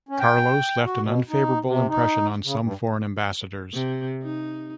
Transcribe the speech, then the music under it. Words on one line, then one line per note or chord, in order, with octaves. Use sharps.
Carlos left an unfavourable impression on some foreign ambassadors.
C#4
G5
F#4
B2
D#4
C3
D#4
C#3
G2
C3
D#4